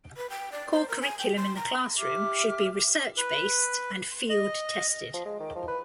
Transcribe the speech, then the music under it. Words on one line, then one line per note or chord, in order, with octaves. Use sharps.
Core curriculum in the classroom should be research-based and field tested.
B4
G5
D5
C5
A#4
G#5
G5
C6
A#5
G4 E5 D6 F6
B4
D#5
F3
G#3
D#3
F3
B4